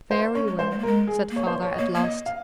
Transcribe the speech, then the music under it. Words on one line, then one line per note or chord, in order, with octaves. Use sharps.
"Very well," said Father, at last.
C5
C#4 C#5
G#3
G#3 C5
G#3
A#3
A#4
G#3
G#4
A#3
C#5
C5
C#5
D#5
A#3 C#5
A#3
D#5
F5